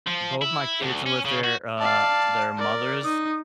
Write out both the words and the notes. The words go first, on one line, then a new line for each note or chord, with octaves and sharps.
Both my kids are with their, uh, their mothers,
F3
E4
D2
C#4
C#3
F#4
D5 F5 A5
A#4 D5
D#4 D#6